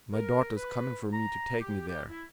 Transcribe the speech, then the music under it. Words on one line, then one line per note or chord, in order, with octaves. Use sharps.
"My daughter is coming for me to take me there."
A#4
B4
A#5
G4
G4
E4